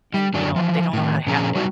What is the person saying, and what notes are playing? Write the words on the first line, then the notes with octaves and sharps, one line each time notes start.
and, you know, they don't know how to handle it,
G3
F#2 D3 F#3 D5
E3 F3
A2 D#3
A#2 D3 F3 C#4 G#4 A#5
F#3 G3 D#4 F#4